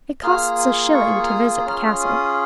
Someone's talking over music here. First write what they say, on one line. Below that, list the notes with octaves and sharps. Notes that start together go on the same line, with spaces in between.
It costs a shilling to visit the castle.
A#3 F4 G#4 F6
D#6
C#6
F6
D#6
C#4 F4 G#4 F6
D#6